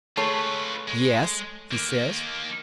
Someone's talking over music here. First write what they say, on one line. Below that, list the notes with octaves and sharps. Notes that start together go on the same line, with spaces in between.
"Yes," he says.
A3 F4 G#4 B4 C#5
G#3
D#3 A#3